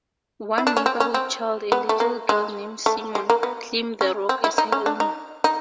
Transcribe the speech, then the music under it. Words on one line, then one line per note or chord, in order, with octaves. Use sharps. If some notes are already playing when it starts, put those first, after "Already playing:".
One neighborhood child, a little girl named Simon, claimed the rock as her own.
E4
D4
C#4
C4
C#4
C4
B3
A3
A#3
G#3
A3
G#3
A#3
B3
C#4
C4
E4
D#4
C#4
D4
D#4
D#4